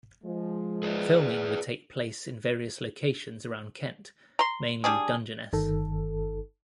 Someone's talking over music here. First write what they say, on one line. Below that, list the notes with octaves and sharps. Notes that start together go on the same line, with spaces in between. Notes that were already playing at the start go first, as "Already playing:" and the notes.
Filming would take place in various locations around Kent, mainly Dungeness.
F3 G#3
G#4 B4 D5
A#5 C6
G3 D4 G#4
G1 D#3 A4